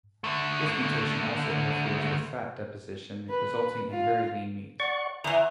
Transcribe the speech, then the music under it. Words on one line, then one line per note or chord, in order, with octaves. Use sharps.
This mutation also interferes with fat deposition, resulting in very lean meat.
D3 A3
B4
F4
D5 F#5 C#6
E2 E3 A#5